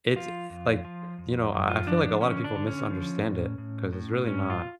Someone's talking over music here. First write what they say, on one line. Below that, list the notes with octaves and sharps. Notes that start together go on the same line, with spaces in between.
it's, like, you know, I I feel like a lotta people misunderstand it 'cause it's really not
F3 F4
F2
F3
F2
F#2
F4
F3 D4
D4
D3 C#4
D4
D3
C#4
F3
A2
A2
A2
G#2 C#4
F4